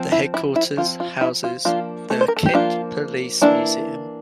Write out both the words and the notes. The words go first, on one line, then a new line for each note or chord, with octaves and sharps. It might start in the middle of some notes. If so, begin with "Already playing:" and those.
The headquarters houses the Kent Police Museum.
Already playing: F3 C4
E4
E4
E4
F3 C4 F4
F4
E4
F4
F3 A#3 D4 F4
A3 A4
C5
A#4
A4
G4
F3 A#3 D4 F4
E3 G3 A#3 D4 E4